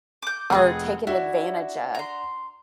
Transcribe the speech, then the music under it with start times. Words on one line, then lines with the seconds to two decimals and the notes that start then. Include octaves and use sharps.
are taken advantage of.
0.22 D6 G6
0.50 F1 C4 G#4 F#5 G5 D#6
1.07 D4 E4 F#4 E5
1.95 A#5 C6